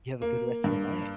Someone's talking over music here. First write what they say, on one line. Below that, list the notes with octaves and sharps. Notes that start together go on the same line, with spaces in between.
You have a good rest of your night.
A#3
G2